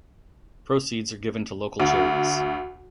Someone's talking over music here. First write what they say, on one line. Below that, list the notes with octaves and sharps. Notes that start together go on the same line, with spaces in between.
Proceeds are given to local charities.
D2